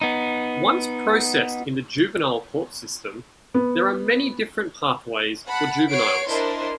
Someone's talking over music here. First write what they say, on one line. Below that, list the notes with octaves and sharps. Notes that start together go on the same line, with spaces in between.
Once processed in the juvenile court system there are many different pathways for juveniles.
B3 D#4
B3
F#5 A5 B5
C#5 F#5 C7 D7
D4 E4 A#4 C5 D#5 C6